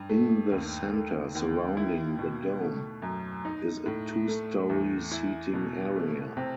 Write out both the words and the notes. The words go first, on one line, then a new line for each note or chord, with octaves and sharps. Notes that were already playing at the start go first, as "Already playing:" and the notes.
In the center, surrounding the dome, is a two-story seating area.
Already playing: G2
A3
D#2
A3
D#2
E4
B2
A3
F#2
D#4
A2
A3
E2
E4
B2
A3
C3